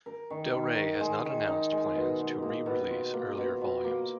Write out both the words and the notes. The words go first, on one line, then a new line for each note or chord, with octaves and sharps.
Del Rey has not announced plans to re-release earlier volumes.
A#4
D#3
D#3
D#3
G#3
D#3
D#4
G#3
B2
B2
A#3
B2
F4
A#3
B2
B2
A#3